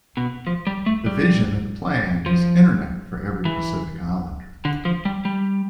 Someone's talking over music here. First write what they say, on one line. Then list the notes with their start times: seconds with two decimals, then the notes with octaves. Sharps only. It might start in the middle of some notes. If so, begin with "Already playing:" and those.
The vision of the plan is Internet for Every Pacific Islander.
0.17 B2
0.47 F3
0.67 G3
0.86 A3
1.06 G3
2.26 F3
3.45 E3
4.65 D3
4.85 F3
5.05 G3
5.25 G3